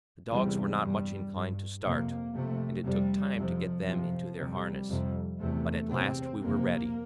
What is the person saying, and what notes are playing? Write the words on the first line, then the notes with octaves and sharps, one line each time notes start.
The dogs were not much inclined to start, and it took time to get them into their harness, but at last we were ready.
E2 C3 G3
G2 G3
G2
F2 C3 A#3
F2 C3 A3
F2 C3 G3
F2 C3 F3
F2 C3 F3
F2 C3 G3
F2 C3
E2 C3 A3
E2 C3 C4
F2 C3 A#3